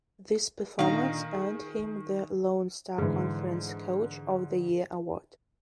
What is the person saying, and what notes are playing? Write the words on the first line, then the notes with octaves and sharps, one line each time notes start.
This performance earned him the Lone Star Conference Coach of the Year award.
A#2 D3 D#3 D#4 F5 A#5
G#4
G#2 D3 E3